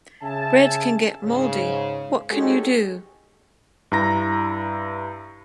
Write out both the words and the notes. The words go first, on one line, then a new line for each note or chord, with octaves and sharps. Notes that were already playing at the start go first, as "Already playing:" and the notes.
Bread can get moldy. What can you do?
C#3 E5 G#5 A5
G#2 C#3
G#3 C#4 D#4 F#4 G4 A4
G2 E4 A#5 A#6